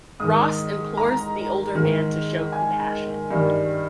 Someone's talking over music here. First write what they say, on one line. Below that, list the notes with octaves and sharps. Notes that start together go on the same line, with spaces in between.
Ross implores the older man to show compassion.
G#2 D#3 D#6
A#5
G#2 D#3
G#5
G2 D#3